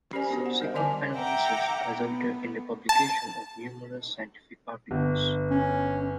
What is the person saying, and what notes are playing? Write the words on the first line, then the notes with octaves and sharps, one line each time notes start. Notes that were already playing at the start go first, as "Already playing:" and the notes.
Subsequent analysis resulted in the publication of numerous scientific articles.
C#4 G4 A#4 C5 D5 G#5
B3 D4 F#4 C5
F#5
G3 A#4 C5 D#5 E5
D3 A#4 D5 G#5 A5 D6
E5 F#5 G5 A#5 D6
B3
A5
G1
C#4